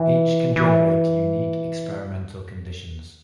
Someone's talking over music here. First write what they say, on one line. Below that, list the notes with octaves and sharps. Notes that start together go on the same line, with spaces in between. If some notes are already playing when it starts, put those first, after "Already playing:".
Each can generate unique experimental conditions.
Already playing: E3
E3